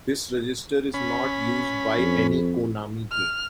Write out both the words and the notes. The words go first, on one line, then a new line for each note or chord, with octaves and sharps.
This register is not used by any Konami game.
C#4 B5
F2
F6